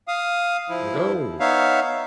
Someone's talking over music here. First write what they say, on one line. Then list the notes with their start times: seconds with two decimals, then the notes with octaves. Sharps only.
like, "Oh!"
0.08 F5 D#6
0.69 F3 E4
1.40 B3 D#4 C#5 E5 F5